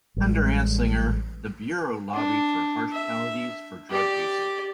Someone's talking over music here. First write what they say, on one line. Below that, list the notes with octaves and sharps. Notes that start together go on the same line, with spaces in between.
Under Anslinger, the bureau lobbied for harsh penalties for drug usage.
A1 G3 G#3
D4
E5
G4 D5